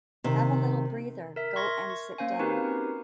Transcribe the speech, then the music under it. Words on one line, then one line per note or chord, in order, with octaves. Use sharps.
Have a little breather, go and sit down.
C3 D#3
A#4 E5
C6 C#6 G#6 A#6
C#6
A#3 C#4 C5 F5 G#5
C4 D#4 F#4 G4 A#4 B4